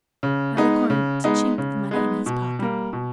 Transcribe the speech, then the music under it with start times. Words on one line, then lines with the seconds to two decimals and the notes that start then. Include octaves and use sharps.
Malicorne chinked the money in his pocket.
0.23 C#3
0.57 G#3 B3 D#4
0.90 C#3
1.24 G#3 B3 D#4
1.58 C#3
1.91 G#3 B3 D#4
2.26 B2
2.59 G3 A#3
2.93 B2